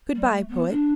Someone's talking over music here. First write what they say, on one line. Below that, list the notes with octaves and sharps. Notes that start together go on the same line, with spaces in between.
Good-bye, poet.
G3
A3
B3
D4